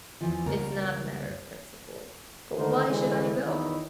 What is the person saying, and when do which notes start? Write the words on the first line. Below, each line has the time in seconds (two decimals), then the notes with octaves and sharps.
"It's not a matter of principle, but why should I go?"
0.21 E2 E3 F3
0.46 C#2 F#2 G3 A#4
2.57 D3 D#3 A3 A#4 C5
2.87 C2 D3 E3 G#3
3.44 E2 D#3 F#3 D#4 E4